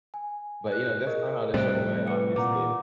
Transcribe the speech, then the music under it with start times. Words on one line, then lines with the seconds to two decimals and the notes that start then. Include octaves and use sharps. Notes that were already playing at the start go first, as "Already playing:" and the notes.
But, you know, that's not how to show went, obviously.
0.14 G#5
0.72 F#6
1.07 G#4 A#4 D#5
1.54 A2 C3 G3 C5 F#6 D7
2.07 B4 C#7
2.36 A#2 F#5 A#5 D6